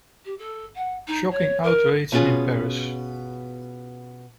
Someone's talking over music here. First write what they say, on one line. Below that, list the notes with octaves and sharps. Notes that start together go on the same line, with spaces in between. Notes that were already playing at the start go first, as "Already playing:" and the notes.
Shocking outrage in Paris.
G4
A4
F#5
D#4
C#5
A#4
B2 B3 C#4 F4 G#4